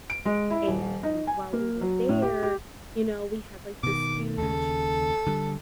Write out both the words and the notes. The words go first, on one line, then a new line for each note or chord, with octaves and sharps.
and while we were there, you know, we had, like, this huge
D7
G#3
E4
D#1
D#4
G#5
A#3
F#3
A2
G4
G4
B2 D#3 D6
D#2 C#3 A4
D3 G3